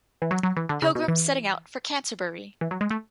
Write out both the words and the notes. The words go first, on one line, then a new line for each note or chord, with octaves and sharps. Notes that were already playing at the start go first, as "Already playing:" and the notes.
Pilgrims Setting Out for Canterbury.
E3
F#3
F#3
E3
D3
C#3
B2
E3
E3
F#3
G#3
A3